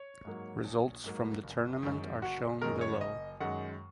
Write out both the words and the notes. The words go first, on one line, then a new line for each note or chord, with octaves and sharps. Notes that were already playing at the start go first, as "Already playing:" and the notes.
Results from the tournament are shown below.
Already playing: C#5
G#2 F#3 A#3
A#1
G#2 F#3 A#3
F#1
F#2 D#3 G#3
F#1 F#4
F#2 D#3 G#3 A#4
C#5
F#1 D#5
F#2 D#3 G#3 F#5